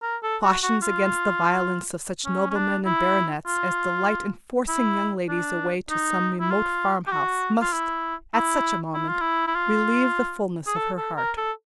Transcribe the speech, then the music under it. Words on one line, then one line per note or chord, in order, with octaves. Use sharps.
Cautions against the violence of such noblemen and baronets as delight in forcing young ladies away to some remote farm-house, must, at such a moment, relieve the fulness of her heart.
A#4
A4
F#4
F#4
F4
C#4
C#4
D4
E4
F4
E4
D4
D#4
E4
F4
G4
F#4
F4
E4
E4
E4
F4
E4
E4
F4
G#4
A4
A4
A#4
A4